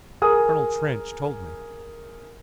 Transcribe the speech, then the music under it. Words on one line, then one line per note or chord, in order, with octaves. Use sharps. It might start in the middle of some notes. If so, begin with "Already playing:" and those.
"Colonel Trench told me."
G#4 A#4 G#5 D#6